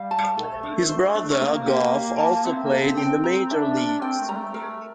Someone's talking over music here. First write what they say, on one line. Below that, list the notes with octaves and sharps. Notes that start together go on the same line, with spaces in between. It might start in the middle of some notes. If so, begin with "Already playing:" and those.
His brother Garth also played in the Major Leagues.
Already playing: G3 F5
A5
A3 A4
D4
C5
D4
A#3 A#4
G4
F5
A5
C4 E5
A#3
A4
C4
G5
A#5
D4 E5
A#4
C4 G5
A3
G3 A#5
A3
A3 A#4